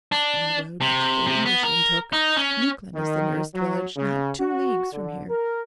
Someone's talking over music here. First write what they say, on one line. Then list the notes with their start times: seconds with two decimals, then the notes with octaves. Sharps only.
"On the road which the Englishman took, Miquelon is the nearest village, not two leagues from here."
0.12 D4
0.81 C3
1.27 C3
1.46 B3
1.63 A#4
2.13 D#4
2.37 C#4
2.95 D#3
3.54 F#3
3.97 C#3
4.40 F#4
4.93 D3
5.29 A#4